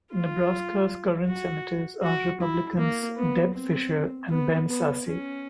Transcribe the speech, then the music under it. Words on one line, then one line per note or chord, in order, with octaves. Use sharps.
Nebraska's current senators are Republicans Deb Fischer and Ben Sasse.
F4
F#4
F#4
E4
A#3
B3
C4
B3
B3
C#4